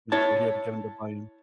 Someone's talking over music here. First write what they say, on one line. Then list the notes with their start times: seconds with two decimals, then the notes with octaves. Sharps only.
Yeah, so he had to get 'em to buy in.
0.12 E4 C#5 A5